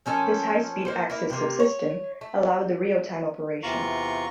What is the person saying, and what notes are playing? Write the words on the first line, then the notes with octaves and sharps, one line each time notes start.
This high-speed access subsystem allowed the real-time operation.
F3 C#4 A4 A#4
A#3 C5
A#3 E4
C3 A#3
C#5
A3
E2 C3 F4 A#5 C#6